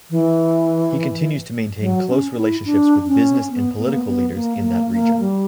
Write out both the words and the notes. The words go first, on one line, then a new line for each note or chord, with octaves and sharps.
He continues to maintain close relationships with business and political leaders in that region.
E3
F#3
C#4
E4
D4
C#4
B3
B3
A#3
B3
B3
A#3
A#3
A#3
G3